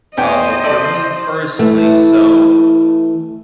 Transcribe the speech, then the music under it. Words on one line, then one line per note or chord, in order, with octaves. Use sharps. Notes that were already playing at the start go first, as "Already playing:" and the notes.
Uh, but for me personally, so,
E2 B3 C5 D#5 G5
A4 D5 E5
E3 A3